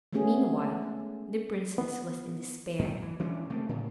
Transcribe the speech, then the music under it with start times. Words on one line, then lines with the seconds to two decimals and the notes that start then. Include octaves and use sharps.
Meanwhile the princess was in despair.
0.13 G#3 A3 B3 C#4 G#4
1.78 B3
2.79 F#2 A#2
3.02 E3
3.20 E3 G#3 C#4 D4
3.50 C3 A3 A#3
3.69 A2 C#3